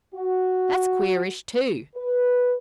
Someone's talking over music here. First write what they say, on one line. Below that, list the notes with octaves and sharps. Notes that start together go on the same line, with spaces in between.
That's queerish, too.
F#4
B4